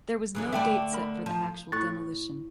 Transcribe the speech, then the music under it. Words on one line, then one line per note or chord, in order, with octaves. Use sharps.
There was no date set for the actual demolition.
F#2 D3 E3 G#4
D3 A3 D5 E5 G5 B5
D#4 A#4 B5
F3
A2 C#6 F#6 A6